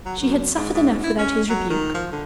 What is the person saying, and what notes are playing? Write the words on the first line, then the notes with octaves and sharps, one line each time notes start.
She had suffered enough without his rebuke.
F#3
F#2
G#2
G#2
E4
C#4
F#3
D#3
F3
D3